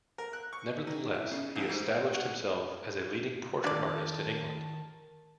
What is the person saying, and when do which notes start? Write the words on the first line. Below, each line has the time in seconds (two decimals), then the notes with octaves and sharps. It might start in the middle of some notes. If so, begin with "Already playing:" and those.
Nevertheless, he established himself as a leading portrait artist in England.
0.18 A#4
0.33 F#6
0.53 C#6
0.87 D#3
1.14 E4
1.31 C#3
1.56 A1
1.69 G#2
1.87 B3
2.13 F#4
3.64 D#3 D4 A#4 D5 A5